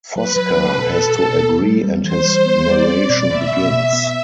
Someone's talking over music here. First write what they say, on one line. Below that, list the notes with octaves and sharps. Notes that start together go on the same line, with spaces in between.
Fosca has to agree and his narration begins.
F#3 B4
F#3
F#3
B2 A4
B2
B2
B3
G3
G3
E3 C5
G3
B3
G3 D5
C4
B2
B2 E5
B2
B2
B3